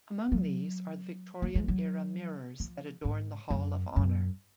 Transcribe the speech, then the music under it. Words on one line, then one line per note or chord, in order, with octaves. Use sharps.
Among these are the Victorian era mirrors that adorn the Hall of Honor.
F#3
A#3
G#3
F#3
F3
G#2
F#2
F#2